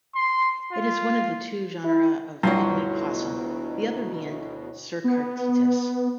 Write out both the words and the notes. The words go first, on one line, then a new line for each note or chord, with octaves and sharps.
It is one of two genera of pygmy possum, the other being "Cercartetus".
C6
F4
E4
D2 G2 B2 F#3 E4 F4 F#5 C6
B3